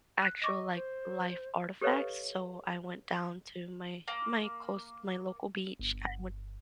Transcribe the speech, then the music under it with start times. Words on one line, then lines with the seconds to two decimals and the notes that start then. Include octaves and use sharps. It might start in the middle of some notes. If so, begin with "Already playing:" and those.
actual, like, life artifacts, so I went down to my my coast my local beach, I wanted
0.22 F#6
0.42 D#5 C#6 D6 A#6
0.73 C5
1.81 G4 A4 B4 C#5 D#5 F5
4.08 A#3
5.79 G1